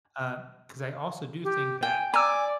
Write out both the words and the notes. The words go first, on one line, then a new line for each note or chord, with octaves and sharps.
uh 'cause I also do think that
G4
G5 G#5
D5 G#5 A#5 D6 E6